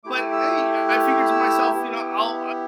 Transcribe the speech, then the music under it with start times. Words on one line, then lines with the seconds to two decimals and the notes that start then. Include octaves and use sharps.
But hey, I figured to myself, you know, I'll
0.04 A3 E4 G4 D6
0.19 E6
0.32 E6
0.89 F#6
1.30 E6
1.72 B3 E4 G4